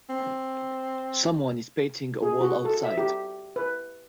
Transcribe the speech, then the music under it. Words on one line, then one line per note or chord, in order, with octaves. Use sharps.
Someone is painting a wall outside.
C4
G#4
F#4
A4
E5
G4
B4